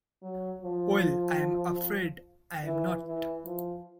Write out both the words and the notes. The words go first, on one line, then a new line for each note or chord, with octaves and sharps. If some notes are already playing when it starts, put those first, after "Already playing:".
Well, I am afraid I am not.
F#3
F3
E3
E3
F3